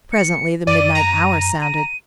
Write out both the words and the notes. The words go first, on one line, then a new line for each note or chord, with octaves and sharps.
Presently the midnight hour sounded.
C#7
F#2 D5 D#7
A#5
D#7